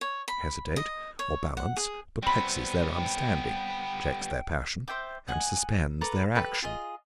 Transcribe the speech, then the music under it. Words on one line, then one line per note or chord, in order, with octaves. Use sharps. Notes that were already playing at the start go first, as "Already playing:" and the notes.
To hesitate or balance perplexes their understanding, checks their passion, and suspends their action.
C#5
B5
D#5
C#5
F#5
G#4
G3 B3 C4 B5
G5
C5 E5 G5 D6
D#5 F#5 G#5
A4 B4 A#5 D6
G4 A4 B4 B5
F4 G#4 D#5